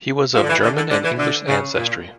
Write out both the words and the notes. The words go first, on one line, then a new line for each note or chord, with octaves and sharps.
He was of German and English ancestry.
F3
D3
E3
D3
D3
D3
E3
D3
C#3
A#2